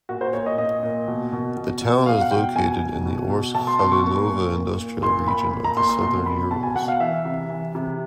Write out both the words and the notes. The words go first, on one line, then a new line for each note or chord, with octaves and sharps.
The town is located in the Orsk-Khalilovo industrial region of the southern Urals.
A#2 F#4
C5
A#2 C#5
D#5
A#2 D#5
A#2
B2
B2
B2
B2
B2 F5
F#5
B2 G5
B2 G#5
B2
B2
B2
B2 A5
C6
B2 C6
C#6
A#2
A#2
A#2
A#2
A#2 C6
A#2 B5
A#2
A#5
A#2 C6
C6
B2 C6
B2 B5
B2 A5
G#5
B2 F#5
F5
E3 E5
C3
E3
C3